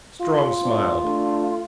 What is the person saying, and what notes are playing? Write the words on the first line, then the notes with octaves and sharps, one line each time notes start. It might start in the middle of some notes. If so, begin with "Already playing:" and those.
Strong smiled.
F4
B3 C4 D4
A3 D4